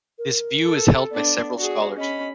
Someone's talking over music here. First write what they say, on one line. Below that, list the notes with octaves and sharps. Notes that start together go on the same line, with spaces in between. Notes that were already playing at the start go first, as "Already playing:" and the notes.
This view is held by several scholars.
A#4
A4
B3 D4 D5
F#4 G#4
C#4 D#5 B5